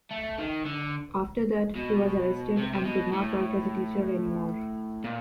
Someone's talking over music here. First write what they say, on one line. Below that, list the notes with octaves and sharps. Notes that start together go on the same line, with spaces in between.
After that he was arrested and could not work as a teacher anymore.
A3
D#3
D3
B2
C3
C3
B2
A2
A#2